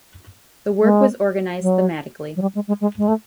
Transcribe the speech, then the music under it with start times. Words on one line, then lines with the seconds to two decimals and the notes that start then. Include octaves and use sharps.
The work was organized thematically.
0.82 G#3
1.62 F#3
2.36 F#3
2.42 G3
2.55 G#3
2.68 G#3
2.81 G#3
2.98 G#3
3.08 A3